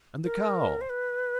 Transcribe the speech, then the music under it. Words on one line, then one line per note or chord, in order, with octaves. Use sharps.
"And the cow?"
A#4
C5
B4